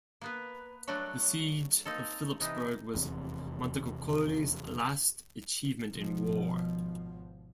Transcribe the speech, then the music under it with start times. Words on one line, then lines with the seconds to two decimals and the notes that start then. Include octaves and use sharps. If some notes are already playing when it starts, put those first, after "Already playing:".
The siege of Philippsburg was Montecuccoli's last achievement in war.
0.21 A#3 B3 B4
0.87 F#3 G3 A3 D4 F#4
1.85 A#3 C4 D#4 A4
2.40 C3 E3 D#4
2.94 F1 E2 C3
5.93 G#1 B2 F3